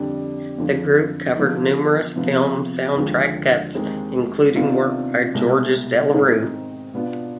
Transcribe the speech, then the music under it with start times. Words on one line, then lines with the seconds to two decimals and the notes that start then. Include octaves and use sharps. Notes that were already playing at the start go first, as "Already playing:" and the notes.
The group covered numerous film soundtrack cuts, including work by Georges Delerue.
Already playing: F2 D3 G3 D4 G4
0.58 F2 D3 F3
1.36 D3 F3 B3 D#4
2.16 C3 F3 B3
2.96 D#2 D3 F3 G#3
3.75 D#2 D#3 G#3 C4
4.55 C3 D#3 B3 D4 F4
5.34 C2 B2 G#3
6.14 G#2 D#3 G#3 C4 D#4
6.94 B2 B3 D4 F4